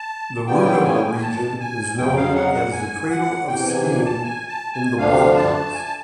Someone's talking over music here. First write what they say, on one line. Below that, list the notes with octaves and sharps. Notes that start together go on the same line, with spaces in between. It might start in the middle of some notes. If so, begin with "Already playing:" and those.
The Rugova region is known as the cradle of skiing in the Balkans.
Already playing: A5
C#3 E3 G3 B3 G5
G#5
G5
G#5
G5
G#5
A5
G#5
F2 C#3 F#3 G5
F5
F#5
F#5
G#5
F#5
E2 C3 E3 G5
G#5
G#5
A5
G#5
A5
G#5
D2 D3 F3 A3 D4 F5
A5
G#5
A5